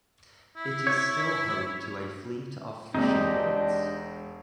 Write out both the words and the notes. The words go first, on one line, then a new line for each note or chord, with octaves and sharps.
It is still home to a fleet of fishing boats.
E4
C#5
E1 G#3 A#3 C4 D4 D#4 G4